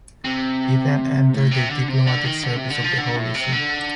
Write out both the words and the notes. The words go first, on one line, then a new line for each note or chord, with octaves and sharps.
He then entered the diplomatic service of the Holy See.
C3
A2
C3
D3
C3
D3
D#3
D3
C3
D3
F3
D3
A2
C3
D3